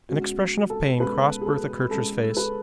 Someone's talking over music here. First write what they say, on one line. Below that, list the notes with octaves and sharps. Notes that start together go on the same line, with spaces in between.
An expression of pain crossed Bertha Kircher's face.
B2 G#3 C#4 F#4
A4
B2 G#3 C#4 B4
G#4
A4
B2 G#3 C#4 A4
B4